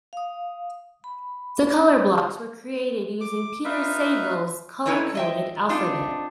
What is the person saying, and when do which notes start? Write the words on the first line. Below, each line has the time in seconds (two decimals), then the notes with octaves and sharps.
The colour blocks were created using Peter Saville's colour-coded alphabet.
0.13 F5 D#6
1.04 B5
3.21 D6
3.65 D#4 F4 B4 E5
4.86 A3 C4 D#4 E4 B4 C#5
5.15 D#5 E5 G5
5.69 C4 D4 D#4 F4